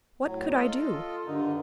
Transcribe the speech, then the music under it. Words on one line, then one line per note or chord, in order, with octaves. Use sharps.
What could I do?
A2 F#3
F4 A4 D#5
G2 D3 D#3 D#4